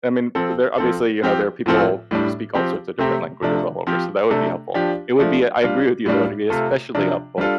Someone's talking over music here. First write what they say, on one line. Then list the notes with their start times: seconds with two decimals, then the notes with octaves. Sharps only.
I mean, there obviously, you know, there are people who speak all sorts of different languages all over, so that would be helpful. It would be I agree with you, though, it'd be especially helpful.
0.35 F3 C4 A4
0.78 F3 C4 A4
1.22 F3 C4 G4
1.66 A2 F3 C4 F4 A4
2.11 A2 G3 D4
2.55 F3 C4 G4
2.99 C3 A3 C4 G4
3.42 C3 F3 A3 D4
3.87 F3 C4 G4
4.30 C3 A3 D4 A4
4.74 F3 D4 G4
5.19 F3 A3 D4
5.62 G3 D4 F4
6.06 A2 G3 D4 F4
6.50 C3 A3 F4 A4
6.95 C3 F3 D4
7.38 G3 D4 F4 A4